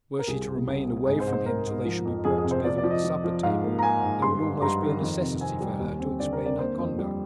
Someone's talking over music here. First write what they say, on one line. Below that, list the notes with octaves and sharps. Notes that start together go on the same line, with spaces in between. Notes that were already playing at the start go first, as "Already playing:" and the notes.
Were she to remain away from him till they should be brought together at the supper-table, there would almost be a necessity for her to explain her conduct.
A#4
C2 G#4
C3
C2
C3
G#2 G#4
C5
G#2
C5
G#2 A#4
G#2
F3
F2
F2 G#4
G#4
C3
C5
F3 D5
D5
F3
D#5
F3
F3
G#2 F5
A#3
A#5
A#3 G#5
G#2
G2 C6
G2
G2 A#5
D#3
F2
C3
C4 G#5
G3
D#2
C4
D3 D5
A#4
C4
D5
A#3 C5
F2
G3